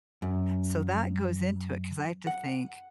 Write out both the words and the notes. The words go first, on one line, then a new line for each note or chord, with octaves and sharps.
So, that goes into it, 'cause I have to think,
F#2
F#5